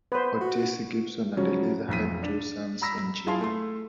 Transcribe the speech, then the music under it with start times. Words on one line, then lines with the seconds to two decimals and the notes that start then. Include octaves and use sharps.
Otis Gibson and Eliza had two sons in China.
0.12 B3 B4 C5
0.41 F#4
1.37 C#3 F3 F#3 C#4
1.88 B1 F2 B6 D#7
2.23 D4
2.82 A#5 B5 E6 A#6 B6
3.27 E4 F4 G#4 F5 A5 C6
3.41 A3 C6